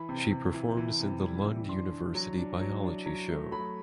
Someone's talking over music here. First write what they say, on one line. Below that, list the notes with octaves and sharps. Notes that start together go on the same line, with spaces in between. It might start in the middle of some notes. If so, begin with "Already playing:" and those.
She performs in the Lund University Biology Show.
Already playing: E3 B5
C3
C3
E3
E3
C3
G3
E3
D4 C6
D4
F#3
D4
F#3
D4
F#3
A3
F#3 B5